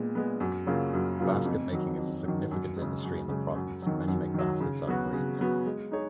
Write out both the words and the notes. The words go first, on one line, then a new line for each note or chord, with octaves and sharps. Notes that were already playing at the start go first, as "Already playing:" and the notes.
Basket-making is a significant industry in the province; many make baskets out of reeds.
Already playing: A#2 G#3 B3
G#3 B3
F#2
C#3 F#3 A#3 F4
F#2
C#3 F#3 A#3 F4
F2
D#3 F#3
F2
D#3 F#3
F#2
G#3
C#3
F#2
C#3 G#3
F#2
D#3 F#3
F#2
D#3 F#3
C#3
F#3 B3 F#4
C#3
F#3 B3 F#4
G#3
D#4 G#4 C#5